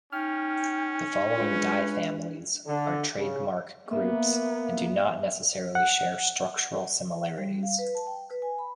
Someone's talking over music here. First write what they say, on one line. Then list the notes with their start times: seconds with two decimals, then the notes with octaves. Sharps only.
The following dye families are trademark groups, and do not necessarily share structural similarities.
0.13 C#4 D#4 G5 F6
1.38 G#3 D4 F4 B4
2.67 D3
3.18 C#3
3.91 A#3 B3 E5
5.75 F#5
7.38 G3
7.63 F5
7.79 B4
7.95 A5
8.07 G5
8.30 B4
8.42 G#5
8.58 B5